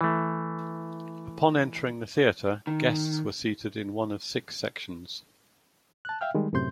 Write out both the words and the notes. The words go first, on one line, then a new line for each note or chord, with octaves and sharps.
Upon entering the theatre, guests were seated in one of six sections.
E3 A3
D#3
A5 F#6
E5 F5 G5 F6
D#3 G3 G#3
F#2 A2 C3 C6 G6